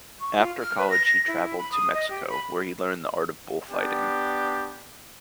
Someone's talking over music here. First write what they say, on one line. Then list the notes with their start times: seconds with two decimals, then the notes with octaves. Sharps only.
After college he traveled to Mexico, where he learned the art of bullfighting.
0.20 C#6
0.37 F4
0.58 F6
0.77 B4
0.90 A#6
1.05 A#6
1.27 E4
1.57 B5
1.71 D#6
1.94 D#5
2.09 G4
2.29 B5
3.71 B3 D4 G4